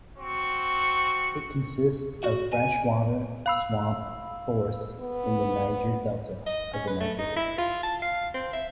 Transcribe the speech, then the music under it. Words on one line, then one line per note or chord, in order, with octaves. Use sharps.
It consists of freshwater swamp forests in the Niger Delta of the Niger River.
C4 F#4 C#6
F#4
G#5
F5 B5 E6
B3
D#5
C#4
B4
A3
D#4
E4
F4
A5
F5
C4
E5